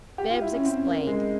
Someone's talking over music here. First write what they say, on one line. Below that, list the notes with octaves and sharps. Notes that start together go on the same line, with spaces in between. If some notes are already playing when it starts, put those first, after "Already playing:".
Bibbs explained.
G4
F4
E4
C#4
C4
A#3
G#3